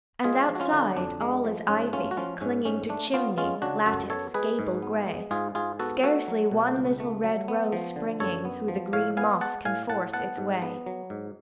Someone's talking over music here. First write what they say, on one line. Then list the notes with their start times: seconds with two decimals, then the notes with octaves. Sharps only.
And outside all is ivy, clinging To chimney, lattice, gable grey; Scarcely one little red rose springing Through the green moss can force its way.
0.24 G#3 F4 G#4
0.48 F3
0.55 F#4
0.60 C#4 F4
0.73 D3
0.97 F2 D4
1.21 G#3
1.44 F3
1.69 G#2 C#4
1.93 A3 C#4 F4
2.11 F#4
2.17 F3 C#4 F4
2.41 G#2 C#4
2.65 G#2 C#4
2.89 A3 D4
3.14 B3 C#4 F4
3.38 G#3 C#4 F4
3.62 C#3 D4 F#4
3.86 F#2 F#4 A4
4.10 B3 A4 C#5
4.34 G#3 G#4 B4
4.59 G#2
4.82 B3
5.07 G#3
5.31 G#2 F4 G#4
5.55 G#2 F4 G#4
5.79 B3 F#4 A4
6.03 A3 F#4 A4
6.28 F#3
6.51 B2
6.76 C#2
7.00 A3
7.24 F#3
7.48 B3
7.72 F3
7.96 D3
8.20 F#2 A4 C#5
8.45 B3
8.68 F3
8.93 A2 C#5 F5
9.17 B3 F5 G#5
9.41 G#3 F#5 A5
9.65 A2 F5 G#5
9.89 A2 F#5 A5
10.13 B3 F#5 A5
10.37 G#2
10.62 B3
10.86 F#3
11.10 G#2